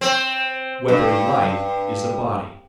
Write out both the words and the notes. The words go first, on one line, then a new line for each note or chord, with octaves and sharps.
Whether Light Is a Body?
C4
G2